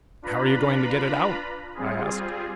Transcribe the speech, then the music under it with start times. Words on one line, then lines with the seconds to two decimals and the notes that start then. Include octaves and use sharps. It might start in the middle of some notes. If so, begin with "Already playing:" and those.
"How are you going to get it out?" I asked.
0.22 D4 F4 B4 A#5 B5
1.74 G3 C4 F4 G#4